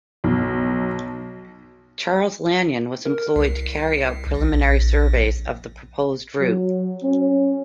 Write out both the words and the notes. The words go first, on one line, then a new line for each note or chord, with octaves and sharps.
Charles Lanyon was employed to carry out preliminary surveys of the proposed route.
B1
A#4
C2
A#1
F#3
C#4